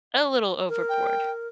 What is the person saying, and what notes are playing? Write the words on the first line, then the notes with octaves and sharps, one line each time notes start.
a little overboard
A#4
G5